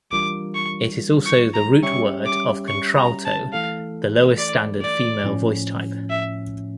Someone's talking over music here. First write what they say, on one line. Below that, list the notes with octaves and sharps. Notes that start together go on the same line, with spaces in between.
It is also the root word of contralto, the lowest standard female voice type.
E3 G3 D4 F4 A#4 D6
C#6
C#6
A#5
G3 C#4 G4 C#5 E5 C#6
D6
C#6
A#5
A5
E3 A3 E4 A4 F5
D5
D5
A2 F3 C#4
E5